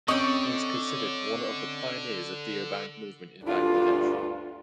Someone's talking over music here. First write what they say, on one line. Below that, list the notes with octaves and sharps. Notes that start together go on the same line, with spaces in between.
He is considered one of the pioneers of Deoband movement in Bangladesh.
D3 C4 C#4 D#5 G5 C#6
D2 G2 D4 F4 A4